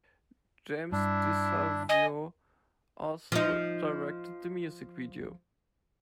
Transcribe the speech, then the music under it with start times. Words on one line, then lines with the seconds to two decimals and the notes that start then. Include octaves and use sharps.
James Di Salvio also directed the music video.
0.92 G2 D4 E4
1.89 D#5 G#5
3.32 F3 D#4